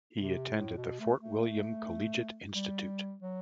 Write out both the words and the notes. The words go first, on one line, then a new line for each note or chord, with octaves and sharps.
He attended the Fort William Collegiate Institute.
C3
A2
B2
A3
A3
G3
F#3